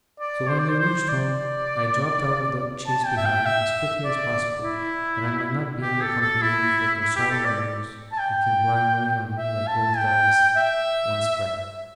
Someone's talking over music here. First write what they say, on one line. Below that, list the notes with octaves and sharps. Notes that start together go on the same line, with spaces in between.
So, when we reached home, I dropped out of the chaise behind, as quickly as possible, that I might not be in their company before those solemn windows, looking blindly on me like closed eyes once bright.
D5
C5
D5
C5
C5
D5
A5
G5
E5
G5
E5
D5
E4
G4
A4
A4
E4
E4
G4
A4
D5
A5
G5
E5
A5
G5
E5